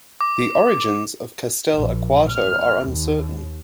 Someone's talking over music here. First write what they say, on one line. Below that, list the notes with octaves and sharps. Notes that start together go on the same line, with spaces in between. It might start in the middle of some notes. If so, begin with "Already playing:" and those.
The origins of Castell'Arquato are uncertain.
D6
A#1
F6
D#2